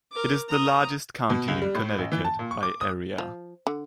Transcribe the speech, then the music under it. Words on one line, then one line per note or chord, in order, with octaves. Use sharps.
It is the largest county in Connecticut by area.
A#4 D6
A#5 D#6
B2
C#2
G3
A2
A1
E3
A5
A#2
C#6
D6
D#6
F3
D3